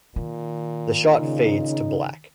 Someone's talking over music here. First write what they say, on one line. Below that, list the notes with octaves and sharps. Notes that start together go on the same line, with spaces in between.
The shot fades to black.
A#2 D#3
C#3 D#4